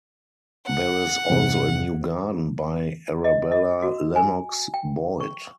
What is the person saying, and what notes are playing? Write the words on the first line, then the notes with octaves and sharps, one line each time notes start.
There is also a new garden by Arabella Lennox-Boyd.
F#5
E2 G2 C3
D#5
D#5
F#4
G#5
G5
C#6